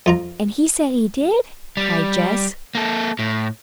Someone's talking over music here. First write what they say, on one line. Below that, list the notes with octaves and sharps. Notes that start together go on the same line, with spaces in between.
"And he said he did!" cried Jess.
F2 F4 A#5
G3
A#3 A4
A2